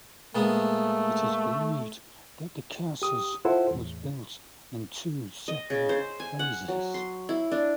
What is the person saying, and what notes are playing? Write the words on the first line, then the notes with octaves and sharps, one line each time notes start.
It is believed that the cursus was built in two separate phases.
A#2 G#3 A3 B3
G4 D#6
E4 F4 A4 C5 F#5
E2 A2
D#5
C#3
C5
G#5
F#5
F#3
C6
E4
D4